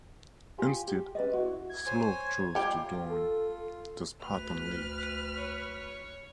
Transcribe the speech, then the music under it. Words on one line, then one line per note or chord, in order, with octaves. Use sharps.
Instead Slough chose to join the Spartan League.
F4 G4 G#5
G4
C#4 B4 D5 D#5
E4 F#4
G#6
C5 C#5 G#5
G3 F4 G4
A4
D2 B4 F6
C#5